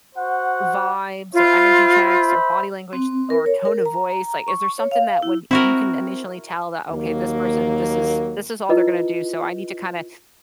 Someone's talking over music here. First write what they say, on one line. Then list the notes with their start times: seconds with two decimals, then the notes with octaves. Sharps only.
vibes or energy checks, or body language, or tone of voice? Like, is there something that when you can initially tell that, "Okay, this person, this is this is all they're gonna do, so, I need to kinda
0.15 F#4 C5 F#5
1.34 F4 C5 E5 B5
2.93 C4
3.30 A#4
3.46 C#5
3.65 A#4
3.86 A#5
4.48 C#6
4.78 C#5
4.91 F5
5.23 E4
5.51 C4 E4 F#4 A#4
6.90 D#2 F#3 A#3
8.69 E4 F4 B4 D#5